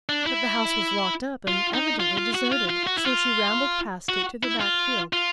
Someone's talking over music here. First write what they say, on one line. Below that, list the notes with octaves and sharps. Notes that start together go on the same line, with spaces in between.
But the house was locked up and evidently deserted, so she rambled past it to the back fields.
D4
E4
F4
D#4
F4
F4
F#4
F4
F4
F#4
E4
F4
F#4
E4
F4
F4